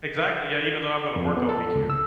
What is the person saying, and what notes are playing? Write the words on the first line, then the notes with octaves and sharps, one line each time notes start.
Exactly. Yeah, even though I'm gonna work all weekend.
F2
B3
A4
C#2
E6